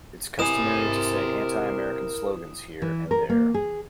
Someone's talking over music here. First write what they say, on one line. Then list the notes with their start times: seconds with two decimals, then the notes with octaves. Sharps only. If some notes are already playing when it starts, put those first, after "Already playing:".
It's customary to say anti-American slogans here and there.
0.39 C3 E4 A#4 G#5 D#6 E7
2.82 E3
3.11 A#4
3.29 A#3
3.54 G#4